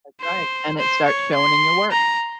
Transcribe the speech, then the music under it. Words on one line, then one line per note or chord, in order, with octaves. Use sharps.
That's right, and it starts showing in your work.
C5
C5
C#5
C6
A#5